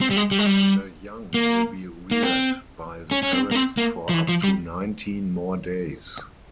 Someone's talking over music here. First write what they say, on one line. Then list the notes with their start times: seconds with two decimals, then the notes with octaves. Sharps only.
The young will be reared by the parents for up to nineteen more days.
0.01 C4
0.10 G3
0.17 G#3
0.31 G3
0.39 G#3
0.46 G3
1.34 A#3
2.11 A#3
2.23 C4
3.11 C#4
3.23 C#4
3.33 C4
3.51 A#3
3.55 C4
3.77 A#3
4.09 F3
4.14 E3
4.29 F3
4.44 G3